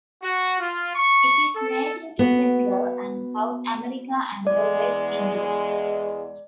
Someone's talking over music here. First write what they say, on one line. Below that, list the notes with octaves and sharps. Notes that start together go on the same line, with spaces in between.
It is native to Central and South America and the West Indies.
F#4
F4
C#6
A4
B3 F#4
E2 G#3 D5